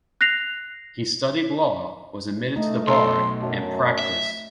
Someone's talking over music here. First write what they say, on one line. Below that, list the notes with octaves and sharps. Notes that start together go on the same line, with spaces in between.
He studied law, was admitted to the bar, and practiced.
F#6 A#6 C7 F7
A3 D#4
B1 A4 C6
F#2 A5
E5